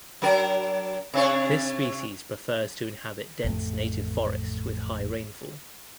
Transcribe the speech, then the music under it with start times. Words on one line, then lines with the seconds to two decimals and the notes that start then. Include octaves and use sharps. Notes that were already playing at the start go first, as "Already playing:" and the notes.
This species prefers to inhabit dense native forest with high rainfall.
0.22 F#3 D4 A#4
1.14 C3 D4 C#5
3.44 A1 F2 A3